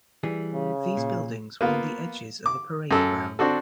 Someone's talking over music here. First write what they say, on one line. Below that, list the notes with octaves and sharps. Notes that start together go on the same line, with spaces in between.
These buildings were on the edges of a parade ground.
E3 G3 G#4
C#3
A#2
A#3 B3 F4
D6
F#2 A4 E6
C4 D4 F#4 A4